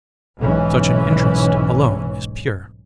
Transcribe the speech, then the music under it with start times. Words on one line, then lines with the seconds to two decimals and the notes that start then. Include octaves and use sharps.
Such an interest alone is pure.
0.41 B1 G#2 E3 C#4